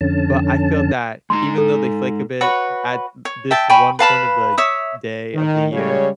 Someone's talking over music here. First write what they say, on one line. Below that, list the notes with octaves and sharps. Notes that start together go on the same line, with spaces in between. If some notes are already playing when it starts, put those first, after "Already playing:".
but, I feel that even though they flake a bit at u this one point of, like, day of the year,
F2 D3 C#4 A5
G#3 D#4 A#5 C6
A4
F#4 B4 C#5
C#5
E5 G5 A5
G5 G#5 B5 C#6
B4 F5 A5 B5
C#5 E5 D#6
D#3
C#3 G3 G#3 C#5